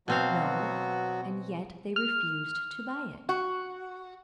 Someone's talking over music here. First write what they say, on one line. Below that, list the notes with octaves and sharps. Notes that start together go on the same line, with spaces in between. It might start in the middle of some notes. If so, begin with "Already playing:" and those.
"No; and yet they refused to buy it."
B2 F#3 B3 C4 F#4 F5
F6
F#4